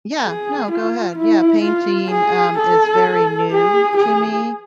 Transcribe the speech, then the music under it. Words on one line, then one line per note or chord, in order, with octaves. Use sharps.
yeah. No, go ahead, yeah, painting, um, is very new to me.
G#4
F4
E4
F4
G#4
A4
G#4
G#4